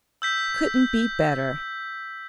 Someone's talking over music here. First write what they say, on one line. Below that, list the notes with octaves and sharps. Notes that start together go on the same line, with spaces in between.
'Couldn't be better.'
E6 G6 B6